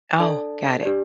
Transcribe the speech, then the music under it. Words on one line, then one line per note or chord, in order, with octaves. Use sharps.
Oh, got it,
D4 A4 D5 A5
D4 G4 D5